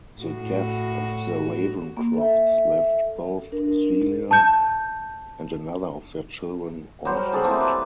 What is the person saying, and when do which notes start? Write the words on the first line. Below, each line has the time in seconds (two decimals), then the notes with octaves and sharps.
The death of the Ravenscrofts left both Celia and another of their children orphaned.
0.19 A2 F#4
1.97 A#3
2.14 A4 E5
3.52 D4 A#4
4.31 A5 G6
7.05 F#3 G3 C5
7.17 A#4
7.32 C4 G#4 A4 D5
7.44 E3 A3 A#3 C4
7.60 G4 B4